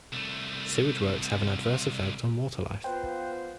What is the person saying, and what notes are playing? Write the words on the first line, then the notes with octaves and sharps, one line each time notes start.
Sewage works have an adverse effect on water life.
C2 A3
B3 F4 B4 C5 G5